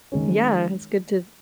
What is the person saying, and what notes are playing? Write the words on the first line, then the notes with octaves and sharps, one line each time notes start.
Yeah, it's good to
D#3 G#3 C#4